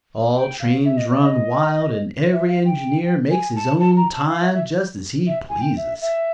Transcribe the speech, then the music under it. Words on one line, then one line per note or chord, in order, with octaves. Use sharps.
All trains run wild and every engineer makes his own time, just as he pleases.
G5
F5
E5
D#5
D5
E5
D#5
E5
F5
G5
G#5
A5
A5
A#5
A5
F5
E5
E5
E5
G#5
G5
E5
E5